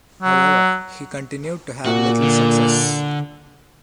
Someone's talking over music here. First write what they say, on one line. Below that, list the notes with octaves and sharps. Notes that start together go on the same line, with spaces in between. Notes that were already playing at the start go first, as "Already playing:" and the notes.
However, he continued to have little success.
F#3
A#2 F#4
D3